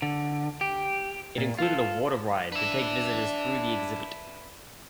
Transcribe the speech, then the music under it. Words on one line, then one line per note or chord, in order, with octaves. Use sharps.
It included a water ride to take visitors through the exhibit.
D3
G4
A#2
F4 A4
D4 B4 E5